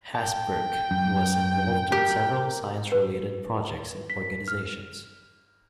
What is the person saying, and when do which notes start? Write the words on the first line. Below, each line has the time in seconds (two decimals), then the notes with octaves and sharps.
Hesburgh was involved with several science-related projects and organizations.
0.15 G5 A5
0.91 F#2
1.92 G4 A#4
2.92 B4
4.10 B6
4.48 F6